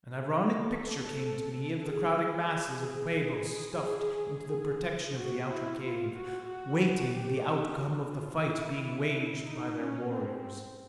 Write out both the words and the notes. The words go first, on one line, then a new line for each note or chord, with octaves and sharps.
An ironic picture came to me of the crowding masses of Quabos stuffed into the protection of the outer cave, waiting the outcome of the fight being waged by their warriors.
A4
G#4
G#4
F#4
E4
F4
F#4
F#4
G4
F#4
F4
E4
E4
D#4
C#4
C4